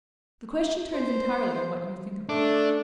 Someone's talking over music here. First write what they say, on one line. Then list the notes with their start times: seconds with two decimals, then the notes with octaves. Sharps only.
The question turns entirely on what you think of me.
0.93 C5
2.29 A3 D4